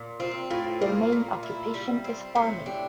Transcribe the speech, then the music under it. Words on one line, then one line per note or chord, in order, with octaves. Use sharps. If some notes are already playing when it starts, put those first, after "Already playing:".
Their main occupation is farming.
Already playing: A#2
C4 F4
A2 F4
A#3 F4
A#2
E4
G3
C4
A2
D4 G4